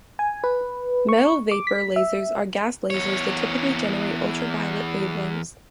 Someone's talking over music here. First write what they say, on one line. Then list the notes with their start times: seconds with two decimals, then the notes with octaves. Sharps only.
Metal-vapor lasers are gas lasers that typically generate ultraviolet wavelengths.
0.19 G#5
0.44 B4
1.09 C#6
1.51 D6
1.67 B6
1.96 E5
2.90 E2 C#5